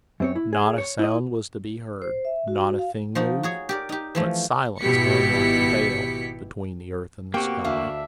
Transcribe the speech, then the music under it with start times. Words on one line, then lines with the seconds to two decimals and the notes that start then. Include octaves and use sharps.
Not a sound was to be heard, not a thing moved, but silence hung like a veil between the earth and the sky.
0.20 F#2 C4 C#5
0.36 E4
0.53 G#4
0.78 C#5
0.99 E4 D#5
2.02 C5
2.25 E5
2.48 F#4
2.79 F5
3.15 F3 D#4 F#4
3.43 F#4 G#4 C#5
3.69 G4 A#4 D5
3.89 D#4 G4
4.15 E3 F3 A3
4.81 G#1 B2 E4 G4 B6 C#7
7.34 B2 A#3 C4 F#4 G4 G5
7.64 D2 D4 E5 F5